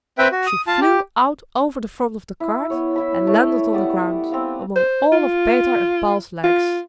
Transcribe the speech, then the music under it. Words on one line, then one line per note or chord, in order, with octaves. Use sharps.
She flew out over the front of the cart and landed on the ground, among all of Peter and Paul's legs!
C4 B4 E5 G5
F#4
D#6
F4 A5
G4
E4
B3 C#5
E4 E5 B5
A3 C#5 D5
G3 B3 D5 F#5
B3 C4 D5 F5
C5
F4
F4